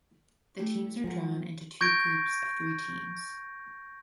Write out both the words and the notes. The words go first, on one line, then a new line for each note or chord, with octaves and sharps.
The teams are drawn into two groups of three teams.
A3 E4 G4
F3 G#3 A#4 F#5
C#6 G6 G#6 A#6 D7